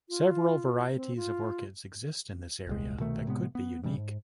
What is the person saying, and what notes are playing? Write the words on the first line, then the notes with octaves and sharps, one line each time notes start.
Several varieties of orchids exist in this area that could be unique.
F4
C4
F4
D#1 C2 G#3
C2 B2 D#3 A3
A2 C3 G#3 B3
B3
G2 B2 E3 G3
G#2